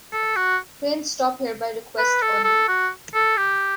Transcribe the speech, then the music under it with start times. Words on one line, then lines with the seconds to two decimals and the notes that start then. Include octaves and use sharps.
Trains stop here by request only.
0.12 A4
0.36 F#4
1.98 B4
2.22 A4
2.44 A4
2.68 F#4
3.14 A4
3.37 G4